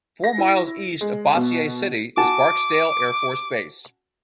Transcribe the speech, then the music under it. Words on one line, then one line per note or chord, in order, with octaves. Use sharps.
Four miles east of Bossier City is Barksdale Air Force Base.
A#6
E4
G#3
B2
F#4 G#5 A5 D6